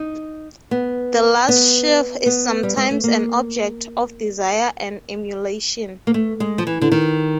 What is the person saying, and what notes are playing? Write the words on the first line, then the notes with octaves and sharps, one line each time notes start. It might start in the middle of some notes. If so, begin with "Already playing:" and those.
The last sheaf is sometimes an object of desire and emulation.
Already playing: D#4
B3
B3
B3
G3
G#3
A3
A#3
A#3
A3
G#3
F3
E3
D3
D#3